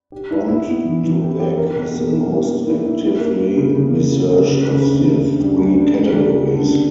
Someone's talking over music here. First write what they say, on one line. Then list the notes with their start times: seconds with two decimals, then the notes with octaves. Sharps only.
Front-to-Back is the most actively researched of the three categories.
0.12 G4
0.31 E4
0.48 E4
0.67 B3
0.85 E3
1.03 E3
1.22 G4
1.40 G4
1.58 A#4
1.76 B2
1.94 A#3
2.12 E4
2.30 A#3
2.48 A#3
2.67 E4
2.85 E4
3.03 E4
3.21 A#3
3.40 A#3
3.57 C#3
3.76 C#3
3.94 A#3
4.12 C#3
4.31 C#3
4.48 C#3
4.66 C#3
4.85 D2
5.03 D2
5.21 D2
5.40 G3
5.58 D2
5.76 G3
5.94 D2
6.12 G3
6.30 A#3
6.48 D3
6.67 G3